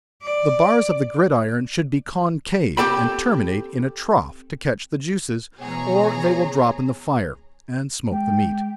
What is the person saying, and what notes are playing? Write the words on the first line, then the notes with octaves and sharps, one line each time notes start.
The bars of the gridiron should be concave, and terminate in a trough, to catch the juices, or they will drop in the fire and smoke the meat.
D5
C4 G4 A4 G5 B5
B2 E3 A3 G#4 C#5 A#5
G#3 G5